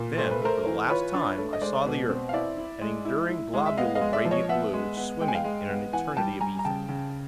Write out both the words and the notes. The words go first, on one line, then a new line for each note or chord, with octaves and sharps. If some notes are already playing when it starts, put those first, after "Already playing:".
Then, for the last time, I saw the earth--an enduring globule of radiant blue, swimming in an eternity of ether.
Already playing: A#2
A3 C5
B4
A3 A#4 C5
E3
F4 B4 C#5
D4
A3
D#5
G#3 C5 D5
B2
C4
F5
E4 D5 E5
E4
G#3
E4
E4
G#3
E5
B3 D#5 F5
D#5 F5
G#3
D5 E5
F3
C#5 D#5
B3 E5 F#5
G#3
B3
G#3 G5
G#5
F5 G5
G#3
B3
E3 F#5 G#5
G3 G5 A5
G3 G#5 A#5
A#5
C#3 G5 A5
C#3